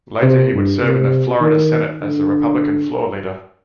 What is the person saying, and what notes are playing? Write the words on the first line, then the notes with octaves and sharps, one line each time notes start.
Later he would serve in the Florida Senate as the Republican Floor Leader.
C3
G2
C3
D#3
D3